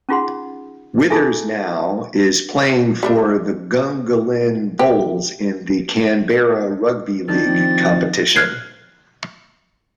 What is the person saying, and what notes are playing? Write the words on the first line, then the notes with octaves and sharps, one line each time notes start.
Withers now, is playing for the Gungahlin Bulls in the Canberra Rugby League Competition.
C#4 D#4 F4 G#4 F#5 C6
D#4 F4 G#4 A4 E5 G#5
G3 A3 D4
G4
D#3 F3 C4 D4 A6
F6 F#6 G#6 C7